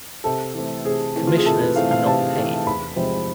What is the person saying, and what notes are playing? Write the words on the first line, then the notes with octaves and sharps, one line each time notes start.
Commissioners are not paid.
C3 A4
E3 A3 C4
C3 G#4
E3 A3 C4
F4
G#4
C3 A4
B4
E3 A3 C4 F5
F5
C3 A5
E3 A3 C4
E2 B5
C3 F3 G#3 C4